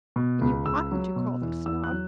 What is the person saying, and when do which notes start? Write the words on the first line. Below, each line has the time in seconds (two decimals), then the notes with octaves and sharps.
And you oughtn't to call them snobs.
0.16 B2
0.41 C#2
0.66 C#2 E6
0.92 F#3
1.16 B2
1.42 E2
1.66 E2 E6
1.84 F#6
1.92 F#3